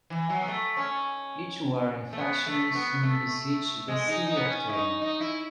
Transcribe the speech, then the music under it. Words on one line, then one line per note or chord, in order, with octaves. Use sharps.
Each warring faction soon besieged the city of Turin.
E3
F#3
B3
A3
C#4
A3
B3
A3
B3
A3
G#3
D#4
D#4
B3
C#4
E4
D#4
D#4
E4